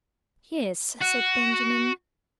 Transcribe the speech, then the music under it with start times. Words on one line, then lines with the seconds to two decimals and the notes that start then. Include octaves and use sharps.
"Yes," said Benjamin.
1.01 F#4